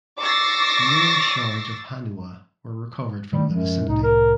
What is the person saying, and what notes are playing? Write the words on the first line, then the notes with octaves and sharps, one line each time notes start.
Numerous shards of "haniwa" were recovered from the vicinity.
C#6 D6 E6 A6 A#6 C7
D#3 G3 A3
F#2 F3 G#3
C2 A2 D#4
A#4